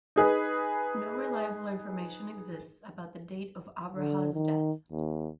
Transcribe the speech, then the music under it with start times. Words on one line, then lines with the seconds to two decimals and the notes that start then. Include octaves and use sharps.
No reliable information exists about the date of 'Abraha's death.
0.16 D#4 G#4 B4
3.96 D3
4.34 D#3
4.92 D#2